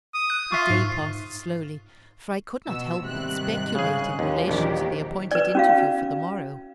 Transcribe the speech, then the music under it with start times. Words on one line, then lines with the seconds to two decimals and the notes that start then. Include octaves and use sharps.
The day passed slowly, for I could not help but speculate in relation to the appointed interview for the morrow.
0.15 D#6
0.30 F#6
0.52 F4 E5 C#6
0.70 G#2
2.67 B2 E6
3.00 G#2 C3 D#3 G3 F#6
3.75 C#3 G#4
4.19 D#2 F3 C#4
4.48 A#1 D#2 D#3 E3 F#3 G4
5.31 B4 D5
5.55 C#4 F#4 F5